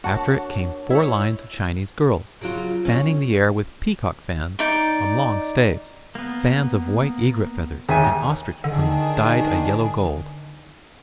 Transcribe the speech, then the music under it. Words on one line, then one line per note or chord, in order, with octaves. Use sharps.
After it came four lines of Chinese girls, fanning the air with peacock fans on long staves, fans of white egret feathers, and ostrich plumes dyed a yellow gold.
D4 F#4 A#4 C#5 F#5 A5 C#6
E4 C#5
C#3 F#3 F4
C#4
D#4 D5
A#3 B3
D#2 G#4 E5 G#5
D3 D#3 D4 G#4